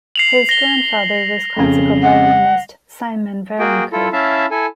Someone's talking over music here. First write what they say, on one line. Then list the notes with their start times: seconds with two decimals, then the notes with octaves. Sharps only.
His grandfather was classical violinist Simon Waronker.
0.16 C7 F7 F#7
0.49 A#6 G7
1.56 F2 C#3
2.03 F#5
3.59 A#3 F#4 G#4 G5
3.92 E4 F4 A4
4.13 C#4 E4 E5 F5 A5
4.51 E4 A4 G#5